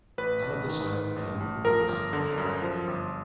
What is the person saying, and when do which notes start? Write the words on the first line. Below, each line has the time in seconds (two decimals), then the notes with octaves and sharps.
Out of the silence came the voice of Ned Rector.
0.18 A1 B4
0.42 A1
0.67 D#3
0.92 G#2
1.16 A1
1.40 A1
1.65 F3 A#4
1.89 G1
2.13 D3
2.38 F#2
2.62 F3
2.87 G1